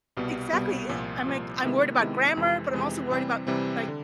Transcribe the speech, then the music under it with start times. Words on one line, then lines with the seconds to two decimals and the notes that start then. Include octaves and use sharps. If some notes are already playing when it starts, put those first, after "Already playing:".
Exactly, i i I'm, like, I'm worried about grammar, but I'm also worried about, like,
0.17 C2 B2 G3 B3
0.53 C2 B2 G3 B3
0.89 C2 A#2 F3
1.26 C2 A#2 F3
1.63 C3 D#3 G#3 B3 E4
2.00 C3 D#3 G#3 B3 E4
2.37 F2 C3 E3 G#3
2.73 F2 C3 E3 G#3
3.10 C3 E3 G3 C4
3.47 C3 E3 G3 C4
3.88 D3